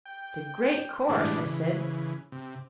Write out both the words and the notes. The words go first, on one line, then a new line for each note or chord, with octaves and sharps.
"It's a great course," I said.
G5
A2 D3 E3 G3 G#3 D4
C#3 E3
C3